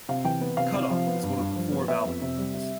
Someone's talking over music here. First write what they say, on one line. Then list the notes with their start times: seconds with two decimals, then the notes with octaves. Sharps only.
Cutoff is one of the four valve events.
0.09 C3 F5
0.24 E3 G5
0.41 B3
0.57 C3 F5
0.74 C3
0.90 F3
1.07 B3
1.23 G2
1.40 G2
1.56 F3
1.72 B3
1.88 B3 E5
2.05 F2
2.22 C3
2.37 G3
2.55 C3